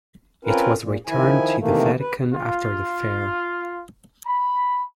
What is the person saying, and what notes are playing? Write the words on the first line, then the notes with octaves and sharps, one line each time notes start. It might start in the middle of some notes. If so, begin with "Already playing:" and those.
It was returned to the Vatican after the fair.
C4 C#4 F4 A#4 B4
A#2
D#3 F3 E4 G#5
C3 D#3 E3 A3 A#3
B4
F4
B5